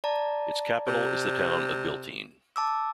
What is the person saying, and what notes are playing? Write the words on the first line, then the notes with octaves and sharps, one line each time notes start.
Its capital is the town of Biltine.
D5 A5 A#5
C3
A5 D6 E6